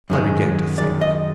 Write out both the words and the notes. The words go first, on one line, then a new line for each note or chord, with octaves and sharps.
I began to think.
F#2 D#3 G#3
F#2 D#3 G#3 D5
D#5